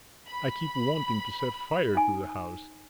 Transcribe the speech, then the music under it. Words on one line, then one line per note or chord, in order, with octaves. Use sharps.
I keep wanting to set fire to the house.
B5
D#4 G#5